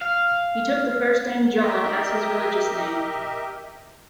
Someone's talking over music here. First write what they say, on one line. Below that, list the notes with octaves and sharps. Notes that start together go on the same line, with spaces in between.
He took the first name John as his religious name.
F5
G4 A#4 D#5 E5